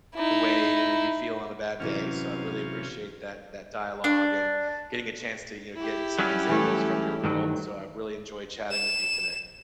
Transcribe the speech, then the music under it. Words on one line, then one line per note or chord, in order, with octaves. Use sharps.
the way, you know, you feel on a bad day, so I really appreciate that that dialogue and getting a chance to, you know, get some examples from your world, so I've really enjoyed chatting with you today.
D#4 E4
F#2 C3 E3 F#3 C#4 F5
D4
E4 G4
F#3 G3 C#4
E3 A3
G2 D#3 F#3
E7